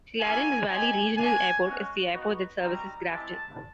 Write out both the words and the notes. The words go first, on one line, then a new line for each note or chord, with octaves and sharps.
Clarence Valley Regional Airport is the airport that services Grafton.
A#3 C#4 E4 G4 G#5
C4 D#4 G4 G#5
A3 D4 F#4 G#5
G#3 C#4 F#4
B3 D#4 F#4
G3 C4 D#4 F#4 A#5
G#3 C4 E4 G4 A5